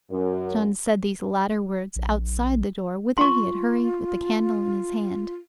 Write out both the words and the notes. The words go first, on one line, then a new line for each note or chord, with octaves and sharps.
John said these latter words outside the door, whither he had hurried with the candle in his hand.
F#2
A#1
F4 C6 C#6